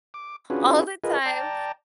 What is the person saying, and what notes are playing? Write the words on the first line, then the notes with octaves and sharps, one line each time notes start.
all the time.
D6
C#4 D4 F4 F#4 G#4 B4
F4 G#4 A#4 B4 D#5
D5 G5 A5 A#5